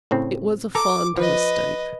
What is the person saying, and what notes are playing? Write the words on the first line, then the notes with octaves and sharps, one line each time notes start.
It was a fond mistake.
A2 C#3 C4
A4 A#5 D6
F3 B4 D#5